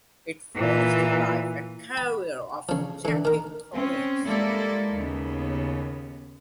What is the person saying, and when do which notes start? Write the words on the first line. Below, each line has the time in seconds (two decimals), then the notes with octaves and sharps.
It follows the life and career of Jackie Collins.
0.56 A#2 E3
1.97 B5
2.69 C#3 F3
3.05 D3 E3
3.25 D#3 A#4
3.72 C4 C#4
4.26 G3 G#3 A#3 E4 A4 D5
4.94 D#2 C#3 B3